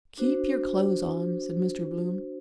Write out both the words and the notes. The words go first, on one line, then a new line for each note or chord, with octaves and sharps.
"Keep your clothes on," said Mr. Bloom.
D4 F#4 C5